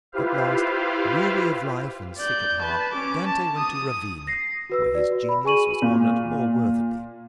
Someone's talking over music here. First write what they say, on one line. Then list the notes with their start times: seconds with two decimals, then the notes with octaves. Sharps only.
At last, weary of life and sick at heart, Dante went to Ravenna, where his genius was honored more worthily.
0.12 E4 F4 G4 B4 C5 F5
2.18 D5 G6
2.62 B4 A5
2.93 C#4 D6
3.27 A5
3.57 D#6
4.27 A#6 C7
4.70 F#4 B4 E6
4.95 F#4 D5
5.12 F#4
5.29 B5
5.44 G#4 G#5 C#6 D#7 F#7
5.82 A#2